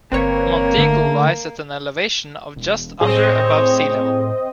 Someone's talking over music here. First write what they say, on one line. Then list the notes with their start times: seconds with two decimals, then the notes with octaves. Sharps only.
Monteagle lies at an elevation of just under above sea level.
0.12 G1 A#3 C4 B4 C#5
0.78 D3 A3
2.56 E1
3.01 A2 C4 G#4 C5 C#5 D#5